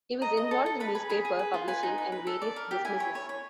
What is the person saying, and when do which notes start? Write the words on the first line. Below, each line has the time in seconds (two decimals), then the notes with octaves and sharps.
He was involved in newspaper publishing and various businesses.
0.22 D#5 A#5
0.37 D#5
0.51 A4
0.66 A4
0.80 B4 B5
0.95 G#4 B5
1.10 G#4 B5
1.25 G#4
1.39 B4
1.54 F4
1.68 B4 G#5
1.83 D#4
1.98 B4
2.12 B4
2.27 A4
2.42 D5
2.56 A#4
2.71 G4
2.85 E4 G#5
3.00 C#5
3.15 C#5
3.29 C#5